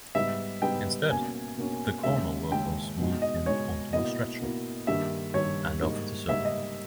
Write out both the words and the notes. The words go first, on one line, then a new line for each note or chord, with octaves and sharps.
Instead, the corner workers moved him onto a stretcher and off the circuit.
G#2 G3 B3 D#4 E5
G#2 G3 B3 D#4 G5
B2 A#3 C#4 G#5
B2 A#3 C#4
D#2 C#3 G#3 C#4 E5
D#2 C#3 G#3 C#4 G5
B2 G#3 D#4
D#5
B2 G#3 D#4 C#5
B2 A#3 E4 D#5
B2 A#3 E4
G2 D#3 G3 A#3 E5
G2 D#3 G3 A#3 C#5
G#2 G3 A#3 D#4
G#2 G3 A#3 D#4 E5
D#5